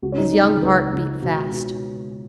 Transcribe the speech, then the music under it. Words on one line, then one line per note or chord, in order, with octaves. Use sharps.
His young heart beat fast.
C#2 F#4
C#4
D#4
C#2 D#4
G#4
C#2 B4
C#2
B2
B2